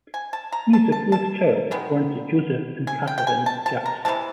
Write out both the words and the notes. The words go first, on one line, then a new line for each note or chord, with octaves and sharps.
He is the fourth child born to Joseph and Katherine Jackson.
G#5
A5
A#5
A5
A5
A5
D#3 G#3 B3
G#5
G5
G5
G#5
A5
A5
A#5
C3 E3 G#3 A5